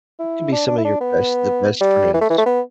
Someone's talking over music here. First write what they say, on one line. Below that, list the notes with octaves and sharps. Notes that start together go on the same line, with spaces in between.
To be some of your best the best friends.
E4
D4
D4
E4
D4
B3
G3
E3
A3
E3
A3
B3